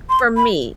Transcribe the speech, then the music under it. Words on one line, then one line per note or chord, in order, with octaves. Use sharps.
for me
C6
B5